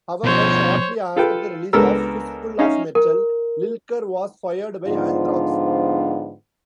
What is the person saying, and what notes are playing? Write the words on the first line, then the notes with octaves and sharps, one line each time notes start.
However, shortly after the release of "Fistful of Metal", Lilker was fired by Anthrax.
B2 F3 C5 C#5
F4 A4 B4 G5
C#2 B3 D4 A4 A#4 E6
C#4 D#4 E5 F5
A#4
G#2 D3 F3 B3 D4 F4